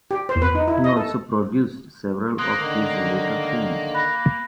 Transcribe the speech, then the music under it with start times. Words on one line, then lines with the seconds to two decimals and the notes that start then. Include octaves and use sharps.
He also produced several of his later films.
0.11 G4
0.29 C5
0.42 B4
0.55 D#4
0.68 E4
0.84 D#5
0.97 A4
2.38 A#3 C6 D#6 F#6
2.55 D3 D#3
3.94 B5 F#6 A#6